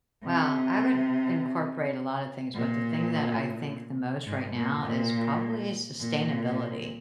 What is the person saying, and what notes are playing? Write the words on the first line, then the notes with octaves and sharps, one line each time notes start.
Well, I would incorporate a lotta things, but the thing that I think the most right now is probably sustainability.
C3
A#2
G#2
A#2
A#2
A#2